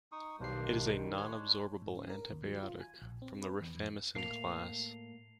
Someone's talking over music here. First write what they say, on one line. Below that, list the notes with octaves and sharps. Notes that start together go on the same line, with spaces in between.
It is a nonabsorbable antibiotic from the rifamycin class.
D#4 C#6 D#6
B1 D#3 G3 A#3 D4 C5 C7
G#3 D4 C#5
G#2
C#4
A#4
D#2
F#3
F4
G#5
A#1
C4
B4
E2
F2
A2 A3 A#3 C7 F7